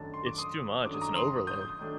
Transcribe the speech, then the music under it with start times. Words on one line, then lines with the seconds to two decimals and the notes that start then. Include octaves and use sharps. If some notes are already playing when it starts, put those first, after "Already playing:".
It's too much, it's an overload.
Already playing: F#2 D#3 F#3 A3 D4 A5
0.14 C6
0.26 D6
0.38 C6 D#6
0.85 F#2 D#3 F#3 A3 D4 D6
0.94 D#6
1.02 A#5 D6
1.16 C6 D#6
1.47 D#6 G6
1.79 D#3 F#3 A3 D4